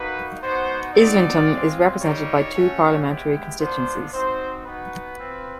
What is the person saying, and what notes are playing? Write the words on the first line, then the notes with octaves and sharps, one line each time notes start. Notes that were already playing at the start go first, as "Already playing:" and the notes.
Islington is represented by two parliamentary constituencies.
Already playing: A#3 D#4 F#4 B4
B3 D#4 F#4 C5
C4 D#4 F#4 D5
G#3 C4 F4
G3 A#3 D#4 G4 C#5
A3 C#4 F#4
G#3 B3 E4 G4
B3 D4 F4 C5
C4 D#4 F#4 C5
B3 D#4 F#4 B4
C4 F4